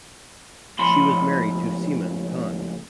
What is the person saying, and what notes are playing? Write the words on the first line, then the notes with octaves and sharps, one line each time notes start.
She was married to Seman Khan.
C#2 A2 F3 B5 C6